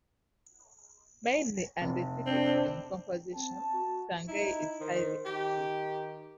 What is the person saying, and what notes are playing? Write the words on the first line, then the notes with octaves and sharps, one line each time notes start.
Mainly andesitic in composition, Sangay is highly active.
F1
C4 D4
C4 A5
F#4
D#4 E4
D#3 C5
D#3 G4